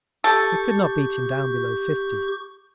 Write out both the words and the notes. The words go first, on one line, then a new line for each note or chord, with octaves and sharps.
We could not beat him down below fifty....
G4 A4 C#6 G6